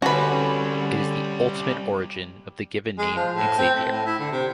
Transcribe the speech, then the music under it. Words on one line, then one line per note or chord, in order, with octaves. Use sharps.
It is the ultimate origin of the given name Xavier.
D3 G3 C4 C#4 F#4 B4
G#3
F3
A2
C4
A3
A2
E4
D3
C3